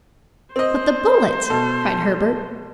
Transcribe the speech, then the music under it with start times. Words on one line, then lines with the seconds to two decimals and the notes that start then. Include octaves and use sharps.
"But the bullet," cried Herbert.
0.56 C4 C5 D#5
1.50 B2 A4